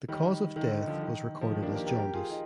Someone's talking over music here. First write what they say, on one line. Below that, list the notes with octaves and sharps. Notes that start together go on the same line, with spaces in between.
The cause of death was recorded as jaundice.
D#3 G3
D#3
D3
D#3
D3 F3
D#3
F3
D#3
A#3 D4
G4 A#4
G4 A#4
G4 A#4
F4 G#4
D#4 G4